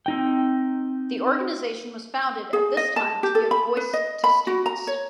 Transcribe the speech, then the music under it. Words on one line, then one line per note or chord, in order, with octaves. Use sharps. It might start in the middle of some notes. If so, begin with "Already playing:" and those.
The organisation was founded at this time to give voice to students.
C4 D#4 G5
G#4
D#5
A5
G4
A4
B5
B4
D#5
B5
F#4
A#5
C#5